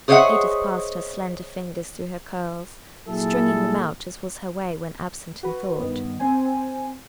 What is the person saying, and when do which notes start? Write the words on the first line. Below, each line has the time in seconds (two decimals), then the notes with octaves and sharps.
Edith passed her slender fingers through her curls, stringing them out as was her way when absent in thought.
0.08 G#4 C5 C#5 D#5 E5 F#5
3.07 A#2 F#3 E4 G#4 A4
5.43 F#4 B4
5.79 G2 D#3 B3
6.20 C4 C5 G#5